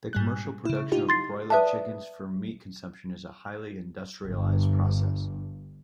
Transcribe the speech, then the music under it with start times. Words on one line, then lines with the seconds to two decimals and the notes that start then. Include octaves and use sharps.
The commercial production of broiler chickens for meat consumption is a highly industrialized process.
0.13 G#2 G3 F#6
0.65 C#3 E4
0.92 D#4 F4 G4
1.09 C6 A6 C7
1.50 B4 D5 E5 A5 D#6
4.26 G1 G2